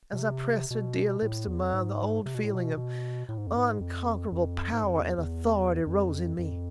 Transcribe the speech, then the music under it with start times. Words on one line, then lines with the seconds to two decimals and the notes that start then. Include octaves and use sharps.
As I pressed her dear lips to mine the old feeling of unconquerable power and authority rose in me.
0.13 B2
0.19 C3
0.70 B2
1.22 A2
1.47 E2
1.61 F2
1.73 G#2
2.26 C3
2.35 B2
2.45 A2
2.55 B2
2.77 B2
3.29 A2
3.38 G#2
3.47 F2
3.57 G#2
3.80 F2
4.32 F2
4.72 G#2
4.83 F2
5.00 E2
5.18 E2
5.86 F2
6.38 F2